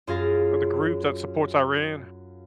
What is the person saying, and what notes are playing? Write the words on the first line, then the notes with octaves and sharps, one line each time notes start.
uh, the group that supports Iran?
F#2 F4 G#4 F5 A6 A#6